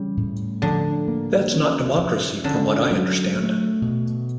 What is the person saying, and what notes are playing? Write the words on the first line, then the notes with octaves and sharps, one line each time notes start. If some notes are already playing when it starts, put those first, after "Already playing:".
That's not democracy from what I understand.
Already playing: C#3 E3 G3
A2
D3 F3
A#3
C#4
F3
D3 C#4
F#3
A3
B2